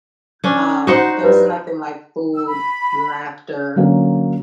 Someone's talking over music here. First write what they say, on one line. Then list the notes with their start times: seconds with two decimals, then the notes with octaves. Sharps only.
Um, there's nothing like food, laughter.
0.44 C#4 D4
0.87 D#4 F#4 C5 F#5
1.23 G2
2.34 E6
2.46 B5
3.76 D3 F#3 A#3 C#4